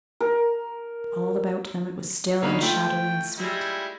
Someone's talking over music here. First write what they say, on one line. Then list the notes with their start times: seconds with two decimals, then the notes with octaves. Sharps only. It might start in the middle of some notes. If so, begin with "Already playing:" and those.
All about them it was still and shadowy and sweet.
0.21 A#4
2.42 D3 B3 C#4 D#4 B4 F5
2.62 A3 F4 G5 B6
3.38 G3 G#3 E4